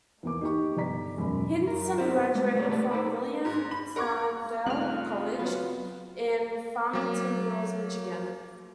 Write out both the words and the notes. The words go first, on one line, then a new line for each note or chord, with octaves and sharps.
Hindson graduated from William Tyndale College in Farmington Hills, Michigan.
E2 A#3 D6
D#4 G4 C#6
G1 D5 A#5 B6
E1 F#2 G#3 B5
F#2 A#4
C4 E4 G4 A#4 C5
G3 G#3 A#3
A3 A#3 G#4 C#5 D5
A3 G4 B4 D5 A5
D#4 A4 C5 G5 B5
G#2
B5
A#4 F#5 C#6 D6 G#6
G2 C#3 A3 C4 F4 F6 F#6
F#3 B3
F#3 A#3